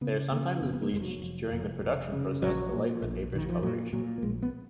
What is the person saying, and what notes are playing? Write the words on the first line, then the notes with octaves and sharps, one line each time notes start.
They are sometimes bleached during the production process to lighten the paper's coloration.
C#3 B3
C#3 A#3
F1 B3
B3
A#3
F1 G#3
F#3
F1
F1
F1
C#3
A#1 F#3
A#2
A#1
A#1 D#3
F3
A#2 F#3
A#2 F#3
A#3
A#1 G#3
B3